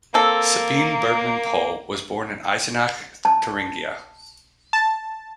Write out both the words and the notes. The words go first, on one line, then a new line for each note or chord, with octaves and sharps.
Sabine Bergmann-Pohl was born in Eisenach, Thuringia.
A#3 C4 A4
A5
A5